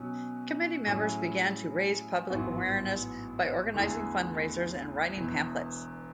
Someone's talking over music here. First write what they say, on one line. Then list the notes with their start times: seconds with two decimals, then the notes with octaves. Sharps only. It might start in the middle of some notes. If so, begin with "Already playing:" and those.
Committee members began to raise public awareness by organizing fundraisers and writing pamphlets.
Already playing: B2 F#3 C#4
0.86 A2 F#3 C#4 E4 G#4
2.30 A1 G#2 F#3 B3 F#4
3.73 E2 D3 A3 E4 G#4
5.16 E1 E2 B2